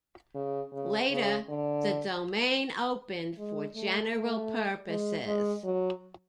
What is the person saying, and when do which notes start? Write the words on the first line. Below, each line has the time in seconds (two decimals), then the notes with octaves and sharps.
Later, the domain opened for general purposes.
0.35 C#3
0.72 C#3
1.10 C#3
1.48 D3
3.38 G#3
3.75 A3
4.13 A3
4.89 G#3
5.27 G#3
5.64 F#3